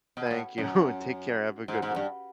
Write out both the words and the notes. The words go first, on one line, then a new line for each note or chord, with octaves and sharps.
Thank you. And, take care. Have a good one.
B2
A2
F#2
G#2
G#2
G2